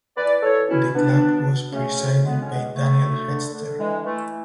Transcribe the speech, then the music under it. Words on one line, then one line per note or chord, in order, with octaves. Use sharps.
The club was presided by Daniel Hechter.
E3 B4 D5
E3 A4 C#5
B2 C#4 E4
B2 B3 D4
B2
B2
C#3 A3 C#4
D2
C#3 G#3 B3
C#4
E2 G#3 B3
C#3 A3
D2
D3
D3
E3 G#3
E3 A3